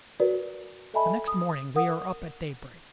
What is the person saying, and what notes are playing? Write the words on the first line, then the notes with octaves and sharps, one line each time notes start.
The next morning we are up at daybreak.
F#4 A#4 B4 D5
A4 D#5 E5 G#5 A5 B5
D#6
A#4 F#5 D#6